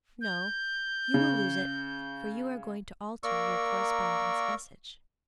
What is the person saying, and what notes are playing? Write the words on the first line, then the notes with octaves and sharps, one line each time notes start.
"No, you will lose it, for you are going to alter your correspondent's message."
G6
C#3
A#3 A#4 D5 C#6 E6